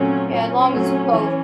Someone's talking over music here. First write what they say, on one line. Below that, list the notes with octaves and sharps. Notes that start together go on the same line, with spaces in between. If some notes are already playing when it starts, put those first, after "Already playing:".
Yeah, as long as both
Already playing: A#2 F#3 A3 C4 C#4
A#2 C#4
F#3 A3 C4
E3